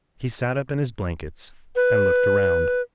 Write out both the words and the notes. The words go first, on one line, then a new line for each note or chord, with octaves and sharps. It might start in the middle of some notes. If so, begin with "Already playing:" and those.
He sat up in his blankets and looked around.
B4